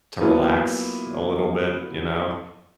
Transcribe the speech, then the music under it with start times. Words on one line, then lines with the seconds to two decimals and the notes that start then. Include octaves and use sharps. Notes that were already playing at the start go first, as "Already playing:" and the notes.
to relax a little bit, you know?
0.21 F#3 A#3 B3 E4 F4